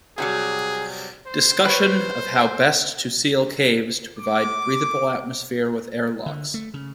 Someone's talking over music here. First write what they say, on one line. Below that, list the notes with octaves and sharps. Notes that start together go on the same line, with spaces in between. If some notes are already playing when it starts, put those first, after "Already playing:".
Discussion of how best to seal caves to provide breathable atmosphere with air locks.
C3 F#3 G3 G#4
C5
B4 C#5
D6
D3
A3
C#3